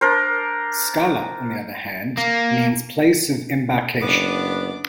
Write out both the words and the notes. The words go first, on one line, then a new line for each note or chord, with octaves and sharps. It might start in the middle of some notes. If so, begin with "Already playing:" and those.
Skala, on the other hand, means place of embarkation.
D4 A#4 C5
A#3
F#1 B3 D4 D6